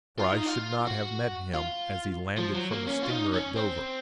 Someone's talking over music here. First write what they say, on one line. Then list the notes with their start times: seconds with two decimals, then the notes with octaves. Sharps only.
For I should not have met him as he landed from the steamer at Dover.
0.19 F4
0.32 D#4
0.46 F4
0.87 F#4
1.54 F4
2.38 F3
2.55 F#3
2.72 A#3
2.88 C#4
3.03 F4
3.10 D#4
3.34 C#4
3.56 C4